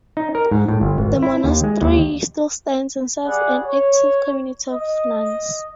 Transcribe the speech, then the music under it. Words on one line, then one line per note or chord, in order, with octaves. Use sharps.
The monastery still stands and serves an active community of nuns.
D#4
A#4
G#2
A2
G1
G#1
E4
D#2
G#3
D#2
G3 G#4 D5 F#5
C#5
D#5